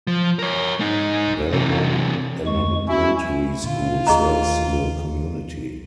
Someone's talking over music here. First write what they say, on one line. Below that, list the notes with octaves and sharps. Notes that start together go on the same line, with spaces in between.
Belmont Elementary School serves the community.
F3
A#4 C#5
D#4 G#4
C3 E3
F2 G#3 C#6
C#4 E4 F#4
A#2 D3 F4
D#2 A3 G#4 D#5 A#5